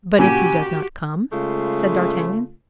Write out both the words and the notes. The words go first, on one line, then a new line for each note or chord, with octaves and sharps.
"But if he does not come?" said d'Artagnan.
A#2 C#3 F#4 G4 G#5
C#3 G#3 A3 F4